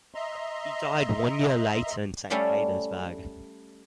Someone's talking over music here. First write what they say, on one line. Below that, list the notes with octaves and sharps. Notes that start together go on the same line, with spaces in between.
He died one year later in Saint Petersburg.
D#5 E5 A#5 C6
G3 A3 C#4 A4 D5 F5